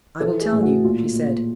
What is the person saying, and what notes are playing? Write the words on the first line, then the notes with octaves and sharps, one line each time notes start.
"I will tell you," she said.
E3 A4
G#4
A2
F#4
A#2 F4
A#2